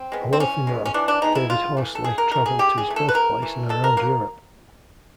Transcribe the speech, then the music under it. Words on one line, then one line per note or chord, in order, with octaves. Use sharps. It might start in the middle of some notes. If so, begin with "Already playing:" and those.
A wealthy man, David Horsley travelled to his birthplace and around Europe.
Already playing: C4
G#3 B3
C4
E3 C#4
G#3 B3
C#4
E3 D4
D4
G#3 B3 D#4
E4
C#3 F4
E3 A3
A4
C#3 G#4
A#4
E3 A3 A#4
G#4
C#3 G4
G#4
E3 A3
A4
B4
C#3 A#4
E3 A3
B2 A4
A#4
F#3 A#3 A#4